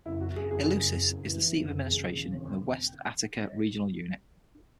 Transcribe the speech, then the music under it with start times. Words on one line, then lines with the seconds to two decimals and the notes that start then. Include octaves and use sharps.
Eleusis is the seat of administration of West Attica regional unit.
0.06 F#1 E4
0.21 F#1 F#4
0.35 F#1 G#4
0.51 F#1 G#4
0.66 F#1
0.81 F#1
0.96 F#1
1.11 F#1
1.27 E3
1.41 E3
1.57 F#1
1.71 F#1
1.86 E1 G#4
2.02 E1
2.17 C#3
2.32 E1
2.47 E1